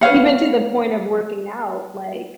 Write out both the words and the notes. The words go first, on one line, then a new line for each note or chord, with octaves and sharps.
Even to the point of working out, like
B4 C#5 F5 F#5